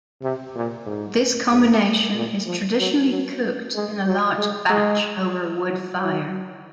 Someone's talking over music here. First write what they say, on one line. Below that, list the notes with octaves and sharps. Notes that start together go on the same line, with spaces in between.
This combination is traditionally cooked in a large batch over a wood fire.
C3
A#2
G#2
G#2
A#2
F3
F#3
F#3
G#3
F#3
G#3
G#3
F#3
F#3